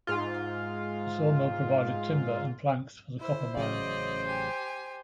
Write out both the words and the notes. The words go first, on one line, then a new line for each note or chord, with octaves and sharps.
The sawmill provided timber and planks for the copper mine.
G#2 F4
E4 C5
A1 C#3 F#3 C5 D5 D#5
G4 G#5